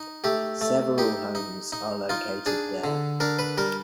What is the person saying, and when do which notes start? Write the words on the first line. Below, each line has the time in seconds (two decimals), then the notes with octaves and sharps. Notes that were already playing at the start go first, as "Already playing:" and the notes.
Several homes are located there.
Already playing: D#4
0.24 A3 G4
0.61 A3
0.98 D#4 G4
1.35 D#4
1.72 D#4
2.09 D#4 F4
2.46 D4 G#4
2.84 D3
3.20 D4 A#4
3.39 B4
3.58 G3 A#4